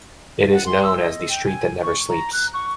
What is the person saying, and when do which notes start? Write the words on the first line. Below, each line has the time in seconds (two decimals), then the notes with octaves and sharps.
It is known as the street that never sleeps.
0.53 F#5
0.66 C6
0.84 E6
0.98 D#5
1.29 G5
1.46 G#5
1.83 C#6
2.09 A#5
2.33 F#6
2.54 C#6